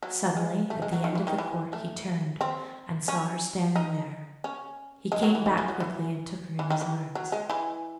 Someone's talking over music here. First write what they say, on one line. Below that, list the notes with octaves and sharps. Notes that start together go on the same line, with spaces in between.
Suddenly, at the end of the court, he turned, and saw her standing there; he came back quickly, and took her in his arms.
F#3
G#3
A3
G#3
F#3
D#3
E3
D#3
E3
A3
C4
C#4
D#4
C#4
G#3
F#3
E3
D#3
E3
F#3
E3
E3
D#3
E3
F#3
G#3
E3